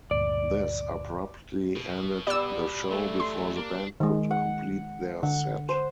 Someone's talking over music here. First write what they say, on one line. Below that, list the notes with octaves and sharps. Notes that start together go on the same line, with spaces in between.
This abruptly ended the show before the band could complete their set.
D2 G2 A#2 D5
B2
G3 B3 D5 E6
E3 F#3 A3
C6
A#3 D4
D#3 G#3
F#5
D3 F#5
C5